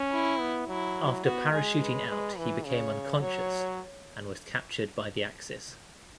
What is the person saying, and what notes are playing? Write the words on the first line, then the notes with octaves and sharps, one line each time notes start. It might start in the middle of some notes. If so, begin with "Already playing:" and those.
After parachuting out he became unconscious and was captured by the Axis.
Already playing: C#4
E4
B3
F#3 E4
B3 F#4
G#3 G#4
B4
G#3
E3
C#3 C#5
F#3 C#5